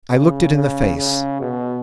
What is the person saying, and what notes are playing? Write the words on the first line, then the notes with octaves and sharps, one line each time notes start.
I looked it in the face.
C#3
C#3
C#3
B2